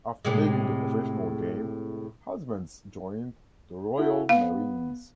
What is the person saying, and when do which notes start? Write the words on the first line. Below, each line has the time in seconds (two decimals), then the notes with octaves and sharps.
After leaving the professional game, Husbands joined the Royal Marines.
0.25 A2 C3 G#3
3.97 E4 F#4 A4
4.29 B3 F5